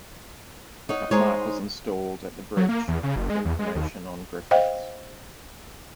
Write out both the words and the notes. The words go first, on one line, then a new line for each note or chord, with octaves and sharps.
A plaque was installed at the bridge with information on Griffiths.
D#4 C#5 F#5
G#3 D#4 C5 C#5
F#3
A#3
E2
C#3
F#1
G#3
E2
G#3
D#2
C5 D#5 F5 G5